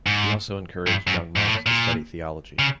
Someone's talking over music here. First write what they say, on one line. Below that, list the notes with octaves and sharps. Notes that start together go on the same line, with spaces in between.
He also encouraged young monks to study theology.
G#2
G2
F#2
G#2
A2
A#2
C#3